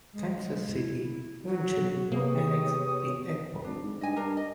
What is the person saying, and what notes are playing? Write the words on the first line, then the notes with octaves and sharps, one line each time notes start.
Kansas City eventually annexed the airport.
G#3
E4
F#3
C3 A#3 B3 G4 G#4 B4 C#5 D#6
G#1 D4
G#2
G2 D#5 G#5
G2 D4 A#4
D#5